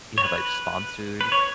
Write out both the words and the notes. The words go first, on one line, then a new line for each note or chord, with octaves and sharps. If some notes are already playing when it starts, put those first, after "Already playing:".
you have, like, sponsored,
C#5
B4
B4
C#5